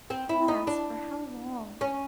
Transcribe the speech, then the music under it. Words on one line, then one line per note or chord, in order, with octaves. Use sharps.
Alas! for how long!
C4
E4
D#4
D4
C#4